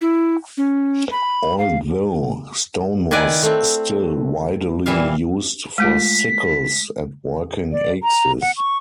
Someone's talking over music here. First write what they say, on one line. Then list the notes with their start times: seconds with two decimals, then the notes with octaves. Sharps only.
Although stone was still widely used for sickles and working axes.
0.01 E4
0.57 C#4
1.11 B5
1.58 F5
3.11 D#3 E4 B4 D5 F#5 G#5
3.43 A3 C4
4.86 A#2 E3 G3 E5 F5
5.78 G#3 A3 F4 B6
7.71 D5
8.03 A#5
8.41 F#5
8.57 C#6